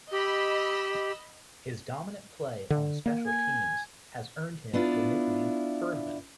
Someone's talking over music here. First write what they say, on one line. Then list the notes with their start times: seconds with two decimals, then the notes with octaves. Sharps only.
His dominant play on special teams has earned him the nickname "Burdman".
0.12 G4 D#5 B5 E6
2.70 D3
3.06 A#3
3.26 G#5
4.73 B3 D4 E4 F4